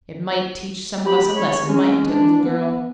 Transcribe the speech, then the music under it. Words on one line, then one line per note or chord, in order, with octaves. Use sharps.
"It might teach some of us a lesson, mightn't it, little girl?"
G4 B5
C#5
G#3 C#4
D4
B3